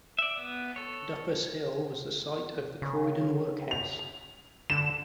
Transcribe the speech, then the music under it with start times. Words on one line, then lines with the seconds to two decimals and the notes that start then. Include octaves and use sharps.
Duppas Hill was the site of the Croydon workhouse.
0.19 D5 E5
0.37 B3
0.76 A4 C#5
2.82 C#3
3.71 F7
4.70 D3 E7